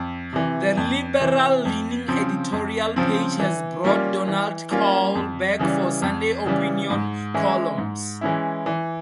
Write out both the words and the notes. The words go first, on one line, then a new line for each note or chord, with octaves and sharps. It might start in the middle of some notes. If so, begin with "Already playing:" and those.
The liberal-leaning editorial page has brought Donald Kaul back for Sunday opinion columns.
Already playing: F2
C3 E3
F2
C3 E3
F2
C#3 F3 C4
F2
C#3 F3 C4
E3
G3 A#3 C#4 F4
E3
G3 A#3 C#4 F4
F2
C#3 E3 G3
F2
C#3 E3 G3
G#2
E3 G#3 C#4 E4
G#2
E3 G#3 C#4 E4
E3